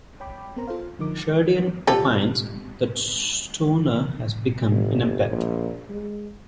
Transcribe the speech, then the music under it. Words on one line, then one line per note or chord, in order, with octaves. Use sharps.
Sheridan opines that Stoner has become an empath.
C#5 G5 B5 D6
B3 C4 A#4 C5 A#5
F4 A4 C5 F5
D3 F3 D#4 A#4 D6
F3 G3 A4
G1
A#1
G#3